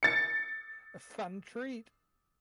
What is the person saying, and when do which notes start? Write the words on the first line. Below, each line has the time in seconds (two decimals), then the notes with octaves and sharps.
A fun treat.
0.03 A6 C#7